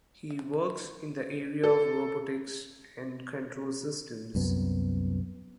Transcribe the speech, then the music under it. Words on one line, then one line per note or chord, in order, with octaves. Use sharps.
He works in the area of Robotics and Control Systems.
A4
C2 F#2 B3